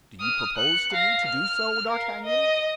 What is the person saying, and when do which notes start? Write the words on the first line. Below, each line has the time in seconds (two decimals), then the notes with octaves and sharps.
"Do you propose to me to do so, D'Artagnan?"
0.20 D#6 F6
0.56 F#6 C#7
0.92 F5 A#6
1.24 F6
1.89 A#4 F5
2.23 D#5